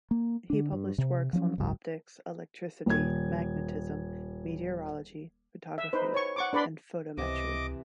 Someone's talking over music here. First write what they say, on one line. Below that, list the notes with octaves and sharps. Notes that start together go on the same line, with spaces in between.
He published works on optics, electricity, magnetism, meteorology, photography and photometry.
A#3
D3 D4
G2
C3
F3 F#3 C4 C#4
F#1 C#2 G#2 F#3
D#1 G#6
E5
D#4 B4 C5
C#5 C#6
F#5 C#6 D6
D4 B4 D5 B5 C6
C#2 C3 E3 D#5 D6